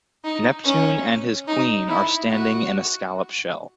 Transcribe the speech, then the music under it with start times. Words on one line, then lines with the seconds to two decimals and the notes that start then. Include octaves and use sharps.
Neptune and his queen are standing in a scallop shell.
0.24 D#4
0.64 C#4
1.48 D#4
1.88 E4
2.30 F#4